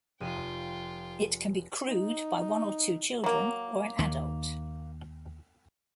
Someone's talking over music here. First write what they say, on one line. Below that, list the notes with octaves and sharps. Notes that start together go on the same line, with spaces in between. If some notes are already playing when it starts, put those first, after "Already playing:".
It can be crewed by one or two children or an adult.
F1 F4 G5 D#7
D#4
F#3 A#3
D#2 D#3